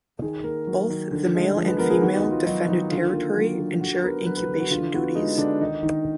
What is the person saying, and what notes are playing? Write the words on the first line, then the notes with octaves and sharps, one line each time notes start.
Both the male and female defend a territory and share incubation duties.
D#3 G#4
A#3 A#4
F#3
D#3
D3
G#3
F3
B4
B3 A#4
G#4
D#3 F#4
D#4
B3
F4
F#3 D#4
D#3 D#4
D3 F4
A#3
F#3
D3
D3 F#4
B3 A#4
F#3 B4
B4
D3
F#4
D3 F4
B3 F#4
G#3 D#4
D3 D4
D#3 D#4
D#3